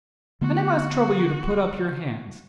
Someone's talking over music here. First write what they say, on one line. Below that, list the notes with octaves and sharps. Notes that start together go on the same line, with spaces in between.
And--I must trouble you to put up your hands.
D3 A3 B3 F#4